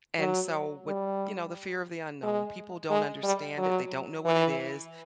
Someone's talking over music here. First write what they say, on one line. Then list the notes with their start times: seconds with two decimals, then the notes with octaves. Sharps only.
And so, with you know, the fear of the unknown, people don't understand it, they don't know what it is.
0.19 F#3
0.87 G3
2.23 G#3
2.90 G#3
3.23 G3
3.58 F#3
4.25 E3